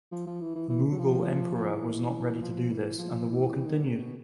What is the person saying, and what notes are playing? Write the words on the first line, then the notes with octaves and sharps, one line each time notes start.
The Mughal Emperor was not ready to do this and the war continued.
F3
F3
E3
E3
E3
F#3
F3
F3
E3
F3
E3
F3
E3
E3
D#3
D3
C#3
B2